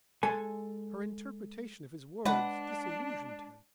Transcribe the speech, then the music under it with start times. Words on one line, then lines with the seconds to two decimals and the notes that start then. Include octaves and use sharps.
Her interpretation of his words disillusioned him.
0.23 G#3 A4 G#5
2.25 G#3 D4 B4 F#5